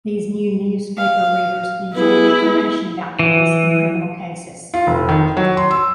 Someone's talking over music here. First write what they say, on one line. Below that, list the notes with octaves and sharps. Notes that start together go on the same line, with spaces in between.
These new newspaper readers enjoyed information about police and criminal cases.
F5
B3 E4 G#4
E3
F4
F1
D#3
F#3
C6
E6